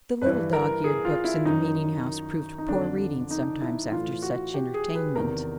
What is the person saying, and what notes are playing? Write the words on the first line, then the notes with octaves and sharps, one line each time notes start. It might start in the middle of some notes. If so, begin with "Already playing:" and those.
The little dog-eared books in the meeting-house proved poor reading sometimes after such entertainment.
G2 E3 B4
A#4
G#4
F4
E4
F#2 D#3 D#4
D#4
F2 D3 D4
D#4
E4
A2 E3 F4
F#4
G4
G#4
B4
E2 C3 D#3 A#4